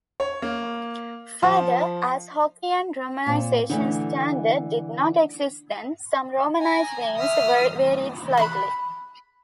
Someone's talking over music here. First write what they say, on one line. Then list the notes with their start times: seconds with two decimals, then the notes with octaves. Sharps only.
Further, as Hokkien romanization standard did not exist then, some romanized names varied slightly.
0.20 C#5
0.42 A#3
1.43 F3
3.26 A#2 C4
3.70 D3 E3 A3 D4
6.60 G#5 A#5
7.17 E5 D#6 F6
8.37 B5 C6 F#6